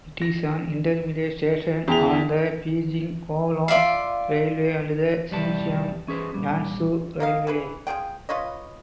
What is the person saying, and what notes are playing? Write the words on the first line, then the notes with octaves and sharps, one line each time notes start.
It is an intermediate station on the Beijing–Kowloon railway and the Xinxiang–Yanzhou railway.
A#6
E2 G#4 G5 F7
F4 D5 E5 F5
C2 F2 G3 E4 A5
E3 C#4 G#4 B4 C5
A#2 G3
A#3 D#5 F5
E3 G#4 B4
F3 C#4 G#4 G5
F4 B4 C#5 D#5